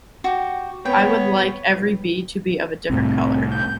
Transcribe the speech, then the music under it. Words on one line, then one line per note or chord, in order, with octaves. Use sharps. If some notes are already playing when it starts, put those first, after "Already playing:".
I would like every bee to be of a different color!
F#4 G4
B3 C#5 G5
C2 A2 C4
G6